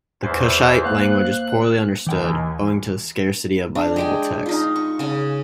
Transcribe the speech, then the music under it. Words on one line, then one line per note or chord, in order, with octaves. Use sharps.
The Kushite language is poorly understood, owing to the scarcity of bilingual texts.
E2 B4 C5 G#5
A#3 C5 F5 F#6
D#2 E3 G5 G#5
D4
G#3 G5 G#5
D#4 F4
C#6
C#3 G#5